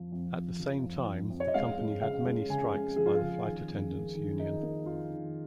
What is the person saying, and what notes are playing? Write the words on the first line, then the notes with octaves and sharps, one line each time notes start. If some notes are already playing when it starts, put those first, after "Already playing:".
At the same time, the company had many strikes by the flight attendants' union.
Already playing: F2 F3
F2
F2
F3
F2
F2
F2
C#5
D#5
G#3 F5
G#3
C#3 F5
G#3
C#3 G#5
G#3
F3 G#4
F4
C#3 G#4
D#3
F2
A#3
D#3
A#3 D#4
A#3
F2 F4
D#3